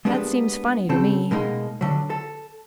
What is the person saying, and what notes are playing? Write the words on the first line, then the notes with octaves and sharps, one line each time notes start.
That seems funny to me.
G#3 A#3 B3 D4 G4
C#3 C4 A4
B2 G#3 A#3 D#4
D3 F#3
A4